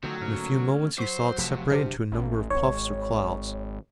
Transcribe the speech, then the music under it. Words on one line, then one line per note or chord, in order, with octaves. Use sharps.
In a few moments he saw it separate into a number of puffs or clouds.
D3 D#3 F3 F#3 A3 C4
G#2 A#3 C#4
F#3 C5 C#6 B6
F1 C3 F3 A3 B6 E7
G1 F#3 D4 G4 C5 F6
A1
G#1 C#5